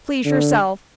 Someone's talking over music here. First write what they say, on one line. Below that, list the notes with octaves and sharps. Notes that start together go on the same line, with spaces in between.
Please yourself.
D3